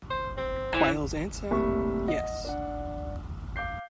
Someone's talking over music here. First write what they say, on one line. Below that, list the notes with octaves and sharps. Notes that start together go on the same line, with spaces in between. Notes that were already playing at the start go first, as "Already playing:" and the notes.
Quayle's answer: yes.
C5
C4
E3
F#1 C3 G3 A3 E5 C#6
D#5 F#5
D4 F#5
F5 D6 G6 C7